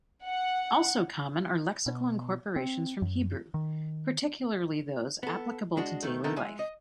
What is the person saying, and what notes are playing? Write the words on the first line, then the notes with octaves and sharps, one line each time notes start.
Also common are lexical incorporations from Hebrew, particularly those applicable to daily life.
F#5
B2
C4
F#2
D#3
B3 A4
G#3 D4 F#4
D#3 A3
C3 D#3 B3 A4 A#4 E5
G#3 E5 G#5
D#5